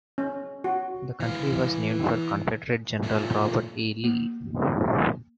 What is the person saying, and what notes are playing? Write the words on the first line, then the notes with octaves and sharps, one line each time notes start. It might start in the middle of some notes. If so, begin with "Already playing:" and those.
The county was named for Confederate general Robert E. Lee.
C#4
F#4
E3 F5
A#2 A3
A#3